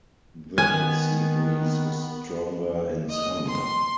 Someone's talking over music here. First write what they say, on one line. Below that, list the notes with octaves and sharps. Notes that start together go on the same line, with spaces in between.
The sea breeze is stronger in summer.
D#3 B3 G#5
D#5
C6